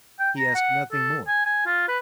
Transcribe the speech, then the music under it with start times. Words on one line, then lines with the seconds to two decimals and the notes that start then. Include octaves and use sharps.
He asked nothing more!
0.19 G5
0.38 A#5
0.55 F#5
0.92 A4
1.27 G#5
1.46 G#5
1.66 F4
1.88 B4